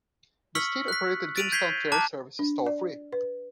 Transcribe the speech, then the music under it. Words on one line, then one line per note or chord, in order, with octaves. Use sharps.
The state-operated Jamestown Ferry service is toll-free.
C#6 E6 F6 B6 C#7 F#7
F#6 B6
A6 B6 D7 D#7 F7 F#7
G6 G#6 B6 C7 F7 G7
A5 A#5 D6 F6 F#6
D4
D5
B4